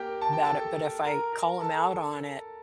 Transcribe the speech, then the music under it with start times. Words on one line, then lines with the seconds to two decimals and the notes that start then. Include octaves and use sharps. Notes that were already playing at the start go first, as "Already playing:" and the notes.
about it, but if I call 'em out on it,
Already playing: A#3 G4 A#4 G5
0.21 A5
0.33 G5
0.44 A4 A5
1.04 A#4 A#5
1.32 A#4 A#5
1.60 A4 A5